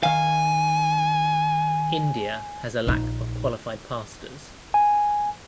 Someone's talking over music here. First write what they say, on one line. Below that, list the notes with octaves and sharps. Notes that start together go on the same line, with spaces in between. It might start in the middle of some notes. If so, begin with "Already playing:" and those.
India has a lack of qualified pastors.
D#3 F5 G#5
A#1 D#4
G#5